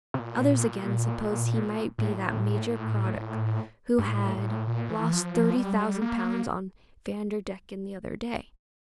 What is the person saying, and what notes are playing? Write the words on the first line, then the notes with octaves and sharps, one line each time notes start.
Others, again, supposed he might be that Major Craddock who had lost thirty thousand pounds on Vanderdecken the other day.
C3
A#2
A2
G2
A2
A2
A#2
E3
F3
F3
G3
A#3